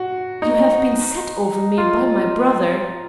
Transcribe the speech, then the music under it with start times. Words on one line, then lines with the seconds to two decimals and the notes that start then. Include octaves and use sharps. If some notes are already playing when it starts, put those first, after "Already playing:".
You have been set over me by my brother.
Already playing: F#4
0.42 D#4
1.78 F4